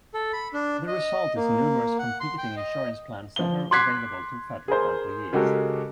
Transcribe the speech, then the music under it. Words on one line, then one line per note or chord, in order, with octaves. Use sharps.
The result is numerous competing insurance plans that are available to federal employees.
A4
B5
D4
D#5
A#3
F#5
C6
G5
D#5
F3 G7
C6 D6 F#6 G#6 B6 C7
G#4 A#4 C5
C#3 G#3 F#4 G4 A4 A#4